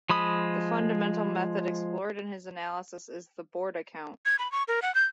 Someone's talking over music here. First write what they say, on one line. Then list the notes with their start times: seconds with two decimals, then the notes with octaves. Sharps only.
The fundamental method explored in his analysis is the Borda count.
0.09 F3 G#3 B5 D#6
4.26 G#6
4.39 B5
4.52 C#6
4.68 A#4
4.82 F#5
4.95 G6